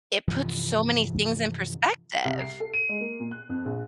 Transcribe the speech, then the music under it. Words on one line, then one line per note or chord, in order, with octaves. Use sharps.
it puts so many things in perspective.
G2 C3 E3 F3
C2
C7
A4
D#7
G#3
A#3
A#2
F#6
F2
A#1